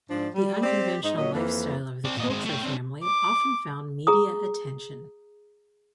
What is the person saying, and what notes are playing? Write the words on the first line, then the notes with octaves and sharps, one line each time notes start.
The unconventional lifestyle of the Kilcher family often found media attention.
G#2 F3 D4
G3
C4 G4 C5 D5
G#2 D#4
A#2 F#3 C#4 D#5
F2 E3 A#3
C4 D5
A#2 D#5
G#3 C4
A3 G5
C4 D4
D6
G#4 A#5 D#6